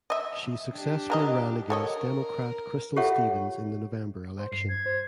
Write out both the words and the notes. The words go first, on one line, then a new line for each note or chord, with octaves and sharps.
She successfully ran against Democrat Crystal Stevens in the November election.
D#5 E5
D4 G4
E3 A#4 D#5
A4 A#4 C#5 D#5
F4 G4 A4 C#5 E5 F#5
C5
G2 C7
G#6
C5